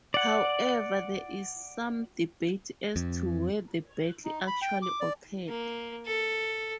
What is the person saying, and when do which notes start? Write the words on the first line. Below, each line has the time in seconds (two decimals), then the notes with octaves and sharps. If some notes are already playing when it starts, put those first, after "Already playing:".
However, there is some debate as to where the battle actually occurred.
0.14 D5 F#5
2.96 F2
4.25 D#4
4.47 B5
4.62 G5
4.82 D6
5.00 D5
5.48 A#3
6.06 A4